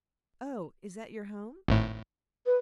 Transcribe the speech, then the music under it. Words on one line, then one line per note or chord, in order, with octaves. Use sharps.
"Oh; is that your home?"
G#1 A2
B4